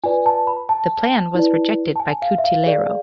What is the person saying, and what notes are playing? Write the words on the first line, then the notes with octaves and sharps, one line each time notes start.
This plan was rejected by Cutileiro.
F4 B4 D5 G#5
A5
B5
A5
E4 B4 D5
A5
G#5
F5
E5
F5
G#4 D5